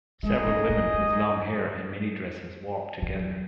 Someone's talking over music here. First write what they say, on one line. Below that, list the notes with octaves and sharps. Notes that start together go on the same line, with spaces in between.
Several women with long hair and minidresses walk together.
G#3 D#4 G#4 D#5
C#4
A#3
G#3
F#3